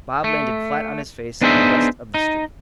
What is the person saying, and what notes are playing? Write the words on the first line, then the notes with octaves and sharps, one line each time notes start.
Bob landed flat on his face in the dust of the street.
A3
B3 D4 D#4 G#4 C5 E5
D#4